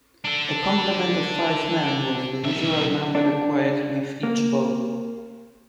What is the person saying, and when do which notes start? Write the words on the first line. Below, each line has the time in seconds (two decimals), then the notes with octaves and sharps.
A complement of five men was the usual number required with each boat.
0.25 D4 A4
2.44 B1 E5
3.15 D4
4.23 A#3